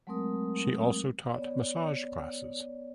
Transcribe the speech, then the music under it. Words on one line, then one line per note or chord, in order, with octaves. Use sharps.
She also taught massage classes.
F#3 G#3 A3 C4 A#4 D#6
B3 C#5 D5